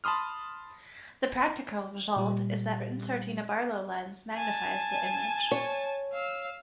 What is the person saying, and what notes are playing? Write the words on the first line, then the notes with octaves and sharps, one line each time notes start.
The practical result is that inserting a Barlow lens magnifies the image.
A5 B5 C6 D#6 F6
A#2 G3
G#5 A5
C#5
F5 E6